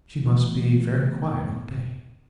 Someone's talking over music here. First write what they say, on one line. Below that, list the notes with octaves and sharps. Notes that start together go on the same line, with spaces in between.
"She must be very quiet all day."
C3 E3 A3 B3